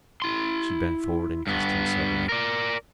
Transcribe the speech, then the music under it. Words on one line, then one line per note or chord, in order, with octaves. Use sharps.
She bent forward and kissed him suddenly.
E4 C6
G2 B3
A#4 D5